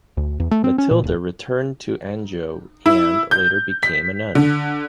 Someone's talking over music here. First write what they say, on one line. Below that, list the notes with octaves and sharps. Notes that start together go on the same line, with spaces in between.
Matilda returned to Anjou and later became a nun.
D2
E2
A3
C4
C#4
A#2
D#1
E4
G6
B6
D3